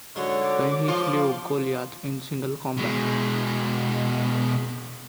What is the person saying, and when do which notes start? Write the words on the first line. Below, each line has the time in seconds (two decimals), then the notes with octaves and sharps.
When he slew Goliath in single combat.
0.16 G#2 D3 F#3 C#5 C6
0.47 D6
0.88 F3 F4
2.77 B2 G#3